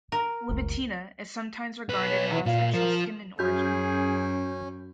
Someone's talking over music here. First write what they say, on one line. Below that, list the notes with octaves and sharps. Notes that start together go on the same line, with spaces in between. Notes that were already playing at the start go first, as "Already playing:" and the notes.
Libitina is sometimes regarded as Etruscan in origin.
A#4
F#1 C#2
B1 B4
C#5
E3
A#2 F5
F3 A#4
F#2 C#4 F#4 G#4 G6